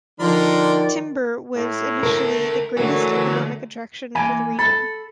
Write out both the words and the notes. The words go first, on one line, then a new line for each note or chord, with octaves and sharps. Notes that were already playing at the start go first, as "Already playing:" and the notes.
Timber was initially the greatest economic attraction for the region.
D3 D#3 F3 A#4 D5 C6
A2
D3 A3 A#4
D3 E3 F#3 A3
E3 A#3 G#5 B5
A4 B5